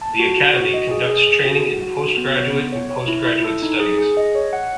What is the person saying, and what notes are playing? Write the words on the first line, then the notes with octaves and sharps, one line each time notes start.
The Academy conducts training in postgraduate and postgraduate studies.
A5
F#4
F#4
F#4
D#5
G#4
G#4
G#4
F#4
F#4
F#4
F#4
B3
C#5
B3
C#5
C#5
E4
E4
A4
D#4
G#4
G#4
D#5
C#5
F#5